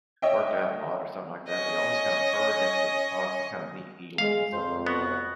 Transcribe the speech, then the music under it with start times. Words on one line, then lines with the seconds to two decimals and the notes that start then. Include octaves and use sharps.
worked out a lot or something like that, they always kinda purr next to the spots that kinda need healing and stuff like that.
0.22 C#5 D#5 E5 G5
1.48 C#4 D#5
4.18 G#3 F5
4.53 F2 C5
4.87 B3 F#4